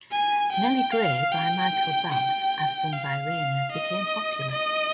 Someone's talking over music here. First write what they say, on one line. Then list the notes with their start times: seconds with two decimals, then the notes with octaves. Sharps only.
"Nellie Grey" by Michael Balfe, as sung by Raynor, became popular.
0.11 G#5
0.52 G5
0.92 F5
1.32 G5
2.12 G5
2.92 F5
3.72 D#5
4.52 D#5